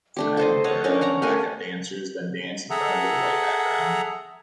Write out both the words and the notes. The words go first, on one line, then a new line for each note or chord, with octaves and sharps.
Aguilera and her backup dancers then dance in front of a white background.
A3 D4 G4
A4 C5 D#5
C#5 D#5 F#5
C#4 D4 A#4 C#5
C#5 F#5 A#5
A3 G4 A#4 G#5
G#4 A4 E5 F#5 A#5